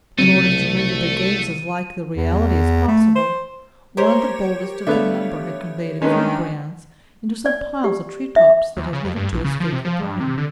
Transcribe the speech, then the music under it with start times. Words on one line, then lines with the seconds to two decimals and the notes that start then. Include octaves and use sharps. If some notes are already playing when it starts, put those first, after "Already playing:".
In order to render their games as like the reality as possible, one of the boldest of their number had conveyed a few brands into some piles of tree-tops that had hitherto escaped the burning.
0.18 C2 C#3 F#3 A3 C4 D#7
2.17 E2
2.87 A3
3.15 C5
3.97 G4 A#4 C5 C#5
4.87 D3 A3 B3 E5 F5
6.02 D#3 G#3 C#4 D4 B4
7.46 D5
7.84 G4
8.36 E5
8.77 D#2
8.93 C#3
9.04 F2
9.16 G2
9.32 A#1
9.45 C#3
9.60 F3
9.72 C3
9.85 F3
10.02 G2
10.20 C3
10.38 D3